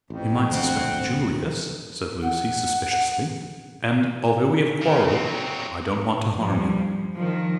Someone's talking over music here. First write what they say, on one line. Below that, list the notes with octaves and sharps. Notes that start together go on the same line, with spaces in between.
"You might suspect Julius," said Lucy, suspiciously, "and although we have quarrelled I don't want to harm him."
A1 F2
D#1 G#1 D2 C4 F#5
F#5
C#3
F#3 C4
F3 G3
D#3 F3